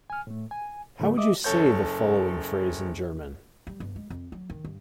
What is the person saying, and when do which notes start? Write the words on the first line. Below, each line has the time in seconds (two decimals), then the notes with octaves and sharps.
How would you say the following phrase in German?
0.10 G#5 F6
0.27 A2 A3
0.51 G#5
0.99 A2 D3 G3 A3
1.17 D#5 E5 D6 D#6
1.44 F#1 A4 C#5 G6
3.67 G3
3.80 G1
3.96 G#3
4.10 F2
4.32 F#3
4.50 D#3
4.65 G2